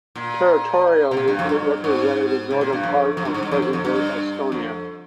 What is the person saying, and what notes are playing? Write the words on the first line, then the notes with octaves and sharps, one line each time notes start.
Territorially it represented the northern part of present-day Estonia.
A#2
C3
A#2
G2
F2
G2
G#2
C3
A#2
G2
F2
F2
G2
G#2
G2
F2
F2
F2
G2
F2